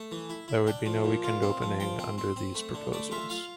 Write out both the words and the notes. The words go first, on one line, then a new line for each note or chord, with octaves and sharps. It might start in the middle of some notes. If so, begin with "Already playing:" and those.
There would be no weekend opening under theses proposals.
Already playing: A3
E3
E4
E4
D4 G5
F3
A#2
F4
C4
F3
F3 G5
C4
C4
C4
A3
D3
A3 D5
F4 E5
F4 F5